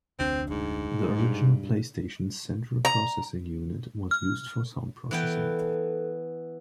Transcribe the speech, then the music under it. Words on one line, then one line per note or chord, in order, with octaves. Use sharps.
The original PlayStation's central processing unit was used for sound processing.
F1 D2 C4 D4
G#2
G2
A#5
F6
E3 B3 A4 G5